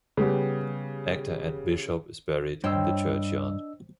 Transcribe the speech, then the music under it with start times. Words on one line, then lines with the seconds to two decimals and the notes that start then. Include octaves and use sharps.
Actor Ed Bishop is buried in the churchyard.
0.17 C#3 G3 B3 G4
2.64 G2 D4 C5 C#5 D#5 G5 E6